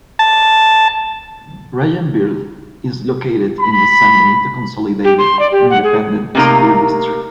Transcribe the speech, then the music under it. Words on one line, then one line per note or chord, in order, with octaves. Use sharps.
Rangerville is located in the San Benito Consolidated Independent School District.
A5
B5
G4
C6
D5
G4
F#5
G#4
C3 A3 A#3 D#4 A#5